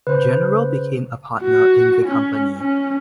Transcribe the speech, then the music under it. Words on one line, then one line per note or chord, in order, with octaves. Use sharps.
General became a partner in the company.
C#3 B4 C5
F#4
C#4
C#4